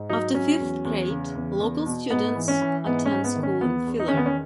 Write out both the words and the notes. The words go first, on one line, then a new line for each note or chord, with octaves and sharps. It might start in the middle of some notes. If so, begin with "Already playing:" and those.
After fifth grade, local students attend school in Filer.
Already playing: G#2
F#3 D#4
F#3 C#4
E2
E2
C#3
E2
E2
B2
G#2 B3
E3
C#4
E3
G#2 B3
C#4
G#2
B3
D#3
C#4
E2 B3
E2
D#4
C#4
D#3 B3
C#4